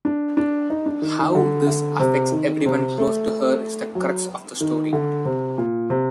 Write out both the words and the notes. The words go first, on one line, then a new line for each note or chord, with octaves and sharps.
How this affects everyone close to her is the crux of the story.
D4
D4
D#4
D4
D#3
D#3
D3
D3
C3
D#3
C3
A3
F#3
D#3
D3
C3
A#2
C3